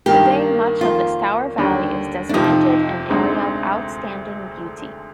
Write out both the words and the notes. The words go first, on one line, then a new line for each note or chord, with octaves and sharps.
Today much of the Stour valley is designated an Area of Outstanding Beauty.
G2 D#3 A#3 G4
F2 D#3 A#3 F4
D#2 D3 G3
D4
F2 C3 F3 D#4
D2 D3 G#3 C4 D#4